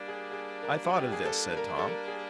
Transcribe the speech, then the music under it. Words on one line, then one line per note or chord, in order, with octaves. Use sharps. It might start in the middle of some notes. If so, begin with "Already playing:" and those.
"I thought of this," said Tom.
Already playing: G3 A#3 D4
G#4
G#4
A#4
F#4
G4
G#4
A4
A#4
A4
A#4
G#4